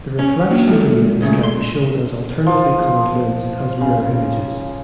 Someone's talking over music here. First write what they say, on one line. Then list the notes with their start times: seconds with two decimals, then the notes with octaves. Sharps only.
The reflection domains can be shown as alternately colored lunes as mirror images.
0.19 C#4
0.50 F#3 A#3 D4
0.68 G#3 A4
1.21 C#2 C#3 A3
1.43 C6
2.46 F3
3.81 C#3